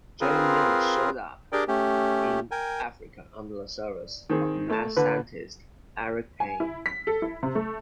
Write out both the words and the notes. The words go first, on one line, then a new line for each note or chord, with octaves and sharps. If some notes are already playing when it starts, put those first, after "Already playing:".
Dragon Man showed up in Africa under the service of mad scientist Eric Pain.
C4 F4 G#4 A#4 B4
D4 G4 G#4 A#4 D5 G5
A3 C#4 G4
A#4 G5 G#5
D#3 C4 G#4
A3 A5
D3 B4
G#5
E4
B6
A4
E4
C3
A3